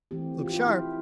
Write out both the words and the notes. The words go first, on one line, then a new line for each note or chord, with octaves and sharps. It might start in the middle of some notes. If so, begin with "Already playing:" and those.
Look sharp!
E3 A3 C4 G4
F4
G4
F4
E4